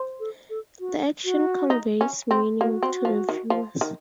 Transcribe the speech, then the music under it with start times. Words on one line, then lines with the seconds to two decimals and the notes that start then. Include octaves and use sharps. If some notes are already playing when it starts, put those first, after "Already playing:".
The action conveys meaning to the viewers.
Already playing: C5
0.20 A4
0.50 A4
0.80 F#4
1.25 F#4
1.70 D#4
2.01 C#4
2.31 C4
2.61 A#3 F#4
2.83 C4
3.05 F3
3.29 D#3
3.50 F3
3.81 D#3